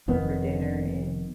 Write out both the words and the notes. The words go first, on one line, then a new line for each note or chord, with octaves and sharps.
for dinner, and
F1 F2 D#3 B3